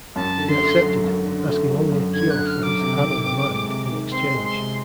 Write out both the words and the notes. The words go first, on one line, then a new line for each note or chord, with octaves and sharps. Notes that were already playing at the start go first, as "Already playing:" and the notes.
He accepted, asking only a cure for his addled mind in exchange.
F#2 A5
D3
C6
A3
F#3
F#2
D3
A3
F#3
F#2
D3 G#6
F#6
A3
F6
F#3 D6
C3
D#3
C4
G#3
C3
D#3
C4 C6
G#3
C6
C3